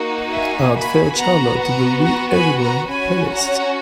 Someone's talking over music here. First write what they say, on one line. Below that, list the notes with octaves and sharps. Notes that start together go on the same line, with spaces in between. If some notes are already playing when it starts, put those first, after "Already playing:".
Add Fair Charlotte to the We Everywhere playlist.
Already playing: A#3 D#4 F#4
E5 G#5
G#5 B5
B3 F#4 F#5 A#5
F#5 A#5
F#5 A#5
G#5 B5
F#5 A#5
C#4 F#4 G#5 B5
F#5 A#5